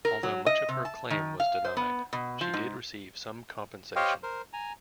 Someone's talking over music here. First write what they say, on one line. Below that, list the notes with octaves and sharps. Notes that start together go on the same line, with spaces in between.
Although much of her claim was denied, she did receive some compensation.
A#4
F#3
D#5
C3
A5
D#3
F5
C5
B3
B2
F3
G#2
G4 C5 C#5 D#5 F5 G5
A#4 C5
G#5 A#5